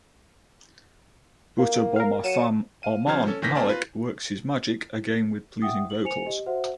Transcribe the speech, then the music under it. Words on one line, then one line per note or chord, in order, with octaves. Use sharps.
Butta Bomma fame Armaan Malik works his magic again with pleasing vocals.
A#3
A#4 F5
F#3 C#7 D#7 E7
F5 D#7
C3 F3 C#4 C5 F6 G#6
C#4 A4
A1 D#3 E3 G6 A#6 B6
A#3 C4 A#4 D5 G#5 A5
F4 B4
E5 F#5 G5 D#6
F#7
C5 G#5 C#7 F7
G4 D#5
F#4 C5 E5 F#5